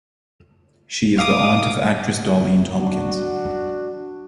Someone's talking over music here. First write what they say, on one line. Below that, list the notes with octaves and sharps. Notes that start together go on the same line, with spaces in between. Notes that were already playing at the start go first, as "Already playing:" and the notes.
She is the aunt of actress Darlene Tompkins.
F5 D6 D#6
D4 F#4